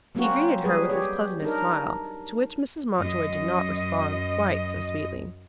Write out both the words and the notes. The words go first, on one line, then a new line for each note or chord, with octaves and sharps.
He greeted her with his pleasantest smile, to which Mrs. Mountjoy did not respond quite so sweetly.
F#3 A#3 C4 C#4 F#4
F#3 G3 G#4 B4
G4 G#4 C#5
D4 D#4 A#4
F#2 D#5